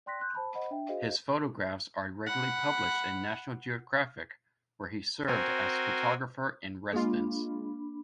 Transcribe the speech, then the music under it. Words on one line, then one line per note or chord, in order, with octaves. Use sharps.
His photographs are regularly published in "National Geographic", where he served as photographer-in-residence.
D5 G5 C6 F#6 A#6 B6
C6 F#6 G6
C5 A5 B5
C5 D#5 F#5 B5
D4 E5 G5
F#4 G#4 C5 D#5 F5
F#5 B5
C4 F#4 A#4 C5 G#5
G#3 A#3 D4 F4 B5